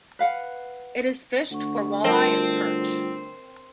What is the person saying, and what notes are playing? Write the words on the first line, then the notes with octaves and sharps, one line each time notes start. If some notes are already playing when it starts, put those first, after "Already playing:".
It is fished for walleye and perch.
B4 F5 F#5
D2 F#5 C#6
G3 C4 F4 A#4 D#5 A5